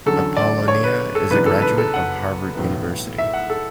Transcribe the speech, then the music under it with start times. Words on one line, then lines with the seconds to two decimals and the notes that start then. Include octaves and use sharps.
Apollonia is a graduate of Harvard University.
0.06 E2 D3 F#3 C#4 A4
0.37 D5
0.68 C#5
0.84 B4
1.15 A4
1.31 F#1 F#2 E3 B3 D4 B4
1.46 A4
1.62 B4
1.78 A4
1.94 F#5
2.55 B1 A2 E3 B3
3.18 E5
3.34 F#5
3.50 A4